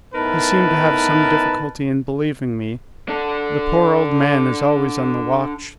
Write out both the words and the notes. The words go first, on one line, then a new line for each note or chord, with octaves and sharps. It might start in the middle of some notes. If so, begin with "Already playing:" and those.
He seemed to have some difficulty in believing me. The poor old man is always on the watch.
A2 B3 D#4 A#4 B4 A5
D4 A4